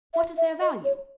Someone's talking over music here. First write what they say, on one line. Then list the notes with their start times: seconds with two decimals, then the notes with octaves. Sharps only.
"What is their value?"
0.14 E5
0.37 E5
0.61 D#5
0.84 C#5